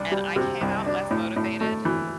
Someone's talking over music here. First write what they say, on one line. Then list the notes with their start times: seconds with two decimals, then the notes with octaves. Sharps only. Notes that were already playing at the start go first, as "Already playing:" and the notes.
and I came out less motivated
Already playing: C2 D4
0.12 G3
0.36 C3
0.61 C2
0.86 D4
1.11 A2
1.36 A2
1.61 A3
1.85 E3